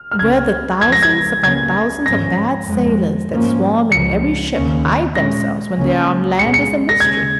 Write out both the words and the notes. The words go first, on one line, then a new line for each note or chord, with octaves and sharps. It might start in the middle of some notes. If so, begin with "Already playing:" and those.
Where the thousands upon thousands of bad sailors that swarm in every ship hide themselves when they are on land is a mystery.
Already playing: F6
F6
C#2 C#3 A#3 C#4 G#6
C#2 C#3 F3 G#3 G#6
A#6
G#6
C#2 C#3 A#3 C#4 G#6
G#2 F3 C#4 A#6
F2 F3 G#3
G#2 F3 A#3 C#4
C#2 C#3 F3 C#7
D#2 C#3 A#3 C#4
A#2 G#3 C#4 A#6
C#2 C#3 A#3 C#4
A#2 G#3 C#4 C#7
C#7
A#6
D#2 C#3 G#3 C#4 G#6